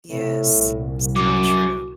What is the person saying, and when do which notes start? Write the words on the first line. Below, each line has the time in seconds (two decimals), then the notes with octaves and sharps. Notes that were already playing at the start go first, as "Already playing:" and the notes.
Yes, so true.
0.10 A2 C3
0.54 C2 A#2
1.16 F#2 F#4 D6